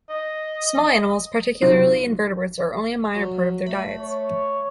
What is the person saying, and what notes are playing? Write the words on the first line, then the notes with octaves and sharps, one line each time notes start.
Small animals, particularly invertebrates, are only a minor part of their diets.
D#5
C3 F#3 D#4 F4 F#4
F#3
A3 B5
C#5